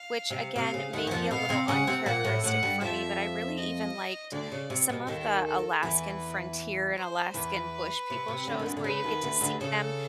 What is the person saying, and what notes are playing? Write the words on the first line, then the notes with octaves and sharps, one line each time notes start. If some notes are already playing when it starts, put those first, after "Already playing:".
which again, maybe a little uncharacteristic for me, but I really even liked some of the Alaskan Frontier and Alaskan Bush People shows where you get to see them
Already playing: F5
C3
C3 F5
C#3
D#2 D#3 F#5
E3
F2 F3
B2 B3 F5
C3 C4
C#3 C#4 F#5
C3 C4
A#2 A#3 F#5
A2 A3
A2 A3 F#5
G2 G3
F2 F3 E5
D#5
D2 D3 D5
C#3
C3
B2
D#2 D#3 A4
A4
E2 E3 B4
C5
E2 E3 B4
C3
C3
D2 D3
D#3
D2 D3
D3
C#3 B4
D#2 D#3
D2 D3
D2 D3
C#3 A4